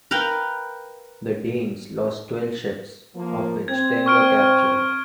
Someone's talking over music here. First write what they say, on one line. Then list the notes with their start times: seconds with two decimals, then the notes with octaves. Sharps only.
The Danes lost twelve ships, of which ten were captured.
0.11 A#4 B4 F5 G5
3.15 F3 A#3
3.68 C4 G#6
4.06 C#6 F6 D7